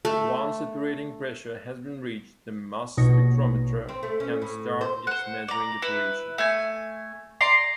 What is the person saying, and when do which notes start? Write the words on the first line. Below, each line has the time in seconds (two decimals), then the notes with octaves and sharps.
Once operating pressure has been reached, the mass spectrometer can start its measuring operation.
0.05 A3
2.97 A#1 B2 D#4 C#5 C#6 A#6
3.89 C4
4.03 A3
4.20 C#4
4.42 A2
4.81 C5
5.07 C5 F#5
5.48 D5 A#5
5.82 E4 B4
6.38 A3 G#5
7.41 D5 A#5 C6